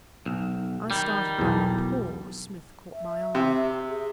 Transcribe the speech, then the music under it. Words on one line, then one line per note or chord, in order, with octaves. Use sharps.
I started back appalled as Smith caught my arm.
B1
D#3 G3
B1 E2
E5
C3
G#4